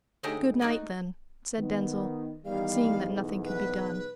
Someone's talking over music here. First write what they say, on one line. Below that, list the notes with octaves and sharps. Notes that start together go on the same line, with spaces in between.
"Good-night, then," said Denzil, seeing that nothing could be done.
D3 G#3 A3 D#4 G4 A#5
D#4 F#4 D5 D#5
D#3 B3
E2 D#3 G3 F5
B1 E2 G#2
B4